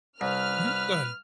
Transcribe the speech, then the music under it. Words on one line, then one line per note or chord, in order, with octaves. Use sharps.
Mhm, go ahead.
C2 B4 F6